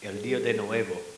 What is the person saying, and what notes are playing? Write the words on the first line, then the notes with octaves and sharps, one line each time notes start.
el dios de nuevo.
G3 G#4
G4
C#4 A4
G#4
G3 A4